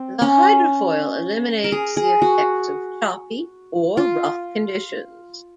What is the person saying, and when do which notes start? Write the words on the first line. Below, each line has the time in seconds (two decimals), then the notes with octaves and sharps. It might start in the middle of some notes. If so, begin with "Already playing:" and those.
The hydrofoil eliminates the effects of choppy or rough conditions.
Already playing: C4
0.22 C#4
1.64 A#4
1.72 G#4
1.97 G#4
2.22 F#4
3.97 F4